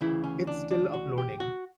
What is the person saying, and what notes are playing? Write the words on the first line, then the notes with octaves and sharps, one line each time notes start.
It’s still uploading.
D2 C#3 E3 E4
C#4
D4
D4
F#4
G4
F#4